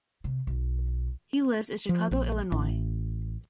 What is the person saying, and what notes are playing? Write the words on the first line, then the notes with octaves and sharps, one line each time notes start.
He lives in Chicago, Illinois.
C3
B1
F3
A#1
A1